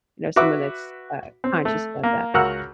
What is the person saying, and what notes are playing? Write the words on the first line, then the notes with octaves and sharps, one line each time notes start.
you know, someone that's, uh, conscious about that.
F#4 B4 E5 D6
C4
A3
A#3
C#2 F#4 A#4 F#5 E6 F6